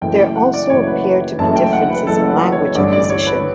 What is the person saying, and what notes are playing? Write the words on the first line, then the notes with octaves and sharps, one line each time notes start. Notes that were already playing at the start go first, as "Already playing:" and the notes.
There also appear to be differences in language acquisition.
F#1 F#2 E3 A3 G5
G5
F#5
D5
F#1 F#2 E3 A3 C#5
B4
B4
F#1 F#2 E3 A3 A5
G5
F#5
B4
F#1 F#2 E3 A3 A4
B4
C#5
A1 G2 D3 D5
D5
D5
C#5
B4